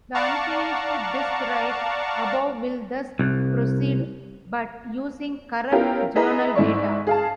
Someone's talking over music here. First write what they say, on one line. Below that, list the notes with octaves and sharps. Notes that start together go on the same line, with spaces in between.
The unfinished disk write above will thus proceed, but using corrupt journal data.
D5 F5 F#5 A5 A#5 C#6
C2
B3 C#4 E4 F4 G4 A#4
E4 G#4 B4 D#5 A#5
G#2 E4 D5 C#6
G#4 F5 A5